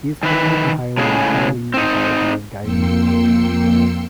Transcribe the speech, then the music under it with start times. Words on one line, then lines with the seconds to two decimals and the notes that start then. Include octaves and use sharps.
He is currently compiling an entirely new anthology of Guyanese poetry.
0.23 D#3 E3 B4
0.97 A2 C#3 G#3 G#4
1.74 C4 D#4
2.62 F2 A#3 G5 C6 E6 C#7